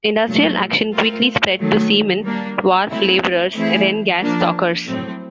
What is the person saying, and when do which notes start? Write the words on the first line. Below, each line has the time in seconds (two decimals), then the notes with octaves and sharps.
Industrial action quickly spread to seamen, wharf labourers, then gas stockers.
0.27 A#2 F#3 A3
0.93 A3 C4 F4 A#4
1.59 D#3 F#3 A3
2.24 G3 A#3 D4
2.89 F#3 A3 C4 E4
3.55 E3 A3 C4 E4 G#4
4.21 F3 A#3 D4
4.86 A2 F#3 A3 C4